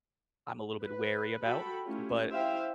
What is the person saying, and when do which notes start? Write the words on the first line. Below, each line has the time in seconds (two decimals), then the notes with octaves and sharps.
I'm a little bit wary about, but
0.82 B4
1.43 F#4 A4 G5 B5
1.85 A3 C#4 E4 F4 G4
2.30 E4 C5 E5 F5 G5